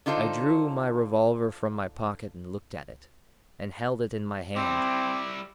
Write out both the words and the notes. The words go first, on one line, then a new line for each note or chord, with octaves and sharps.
I drew my revolver from my pocket and looked at it, and held it in my hand.
D3 D#4 F4 A4 C5
G3 C4 E4 D6